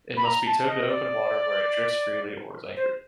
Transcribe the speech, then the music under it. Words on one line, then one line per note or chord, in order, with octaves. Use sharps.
It must be towed to open water, where it drifts freely or is anchored.
B5
A#5
A5
D#5
D5
C5